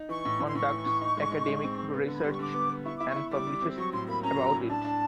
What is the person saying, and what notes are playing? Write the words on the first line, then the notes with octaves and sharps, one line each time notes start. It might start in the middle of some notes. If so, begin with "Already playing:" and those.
Conducts academic research and publishes about it.
Already playing: D#4
E3 C#6
A2
A2
C6
A2 C#6
E3
A2
D#4
G#3
D#4
G#3
C4
C4
B3
D3
B5
G3 C6
C#6
D3 D6
B3
B3
E4 C#6
E4 D6
C#6
E4
G3 D6
G3
C4
F#3 C#6
A2 C6
A#3 B5
C#4 A#5
F#3
A2
D4 A5
D4